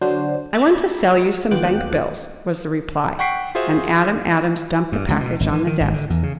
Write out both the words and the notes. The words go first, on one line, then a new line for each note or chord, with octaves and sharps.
"I want to sell you some bank bills," was the reply, and Adam Adams dumped the package on the desk.
D3 F#3 D4 F#4 C5
A#5 B5 E6 G#6 A6
D#2 B3 F4 G5 D6 F#6
F#5 G5 C#6 B6 C7 D7
F4 F#4 G#4 C5 E5
G2
C#2
B2
G#1
E3
D#3
G#1
D3
E2
C#3